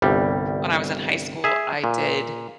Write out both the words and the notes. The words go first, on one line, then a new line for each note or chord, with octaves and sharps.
when I was in high school, I did
G1 C2 G3
G#4 E5
A#2